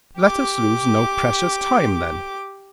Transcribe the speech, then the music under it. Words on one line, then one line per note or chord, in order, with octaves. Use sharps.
Let us lose no precious time, then.
G4 D6